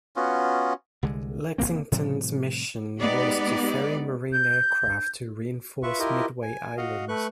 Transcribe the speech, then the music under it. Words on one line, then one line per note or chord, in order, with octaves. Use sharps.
"Lexington"s mission was to ferry Marine aircraft to reinforce Midway Island.
B3 C#4 F4 F#4
C2 D3 G#3
F1 A2 A#3 C4
A2 C3 F3 G3
G#3 B3 D#4 G4 D5
G6
F4 B4 E5 C#6
E4 F4 G4 A#4 D#5
G#5
F#4 D#5 F5
A3 B4 C#6 F#6